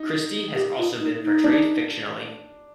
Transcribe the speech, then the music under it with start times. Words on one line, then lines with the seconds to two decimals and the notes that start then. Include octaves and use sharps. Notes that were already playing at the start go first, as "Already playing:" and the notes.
Christie has also been portrayed fictionally.
Already playing: D#4
0.55 G4
0.78 F4
1.00 D#4
1.22 D#4
1.44 D4